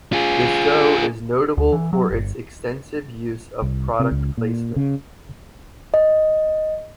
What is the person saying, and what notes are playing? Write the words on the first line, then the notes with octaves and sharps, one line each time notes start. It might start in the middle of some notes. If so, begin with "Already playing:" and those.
The show is notable for its extensive use of product placement.
F4 G#4
D2
E3
F#3
G1
C2
C3
C#2
A#2
C#3
D#5